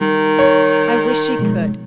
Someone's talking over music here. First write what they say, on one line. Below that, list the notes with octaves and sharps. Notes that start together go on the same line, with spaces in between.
I wish she could.
D#3 G3
C#5
B2 F3 G#3